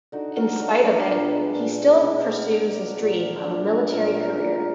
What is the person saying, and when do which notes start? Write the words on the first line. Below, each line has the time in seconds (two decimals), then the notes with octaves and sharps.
In spite of it, he still pursues his dream of a military career.
0.12 D3 D#4 F#4
0.36 F#3 A#3 F#4 A#4
0.60 D3 D4
0.84 F#3 A#3 D4
1.08 A#2 B3
1.31 G#3
1.55 A#2
1.78 G#3
2.02 B2 D4
2.26 F#3 A#3
2.49 B2 D4
2.73 F#3 A#3
2.97 A#2
3.20 G#3
3.44 A#2 D4
3.67 G#3 G#4 B4
3.91 A#2 A#4 D5
4.15 F#3 A#3
4.38 A#2